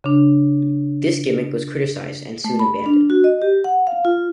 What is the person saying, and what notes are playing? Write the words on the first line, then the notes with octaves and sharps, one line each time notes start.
This gimmick was criticized, and soon abandoned.
C#3 D4
A3
B5
D4
F#4
D#5
G4
F#5
F5
F4